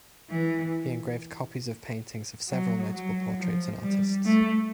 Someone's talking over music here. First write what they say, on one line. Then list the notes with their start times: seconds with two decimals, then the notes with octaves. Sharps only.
He engraved copies of paintings of several notable portraits and artists.
0.29 E3
2.49 F#3
2.93 F#3
3.37 F3
3.81 G3
4.25 A3